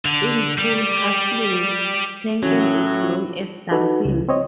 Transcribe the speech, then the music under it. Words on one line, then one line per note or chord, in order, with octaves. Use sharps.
In pool hustling, tanking is known as dumping.
D3
G3
A2 E3 F#3 C#4 E4 F#4
D#4 F#4 A4 B4
C#2
C4 C#5 D#5